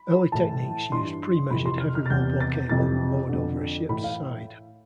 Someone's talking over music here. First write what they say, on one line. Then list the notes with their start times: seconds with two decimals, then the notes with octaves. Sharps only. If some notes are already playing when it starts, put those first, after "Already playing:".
Early techniques used pre-measured heavy rope or cable lowered over a ship's side.
Already playing: B5
0.32 A2 E3 A5
0.92 G2 E3 C6
1.51 F2 C3 E3 B5
1.66 C6
1.80 F6
1.95 F6
2.06 A6
2.10 E2 C3 E3 G6
2.40 A6
2.69 F2 C3 E3 A6
3.29 F2 D3
3.89 A2 E3 B5
4.04 F5